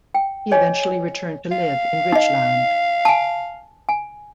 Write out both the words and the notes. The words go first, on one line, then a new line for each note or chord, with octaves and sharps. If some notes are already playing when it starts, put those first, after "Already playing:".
He eventually returned to live in Ridgeland.
G5
G#4 C#5 D#5 G#5
F5
D#4 D#5
G#5 A5
G#5